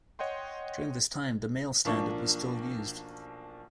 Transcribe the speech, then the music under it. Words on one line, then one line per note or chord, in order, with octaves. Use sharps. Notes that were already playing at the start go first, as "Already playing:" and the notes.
During this time, the mail standard was still used.
C#5 D#5 F#5 G5 C6
B1 F3 A#3 D4 C#6